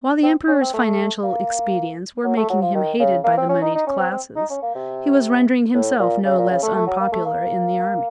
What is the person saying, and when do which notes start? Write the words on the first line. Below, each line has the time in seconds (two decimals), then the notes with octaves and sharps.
While the emperor's financial expedients were making him hated by the moneyed classes, he was rendering himself no less unpopular in the army.
0.23 C4
0.48 C#4
0.61 C4
0.74 A3
1.23 A#3
2.24 F#3
2.37 A3
2.50 F#3
2.62 F3
2.74 D#3
3.00 C#3
3.24 A#3
3.37 C4
3.49 C#4
3.62 D#4
3.75 D#4
3.87 C#4
4.00 C4
4.11 C4
4.36 D#4
4.50 C#4
4.62 A#3
4.75 C3
5.74 A2
5.99 A#2
6.25 C#3
6.38 A#2
6.51 C#3
6.63 A3
6.75 A3
6.87 F#3
7.00 A#3
7.12 A3
7.25 A#3